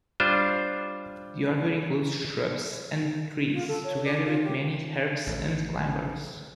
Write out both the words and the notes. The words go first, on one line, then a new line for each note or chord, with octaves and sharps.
The order includes shrubs and trees, together with many herbs and climbers.
G3 D4 F4 C5
F4
A4
C#5
D5
F4
G4
A1 D3